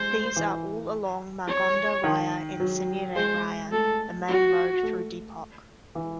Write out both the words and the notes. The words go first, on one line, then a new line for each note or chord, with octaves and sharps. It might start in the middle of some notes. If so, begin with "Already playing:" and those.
These are all along Margonda Raya and Cinere Raya, the main road through Depok.
Already playing: G#3 C5
E3
C#5
D#3
F#3
G#3 C5
A3 A4
F#4
A3
E3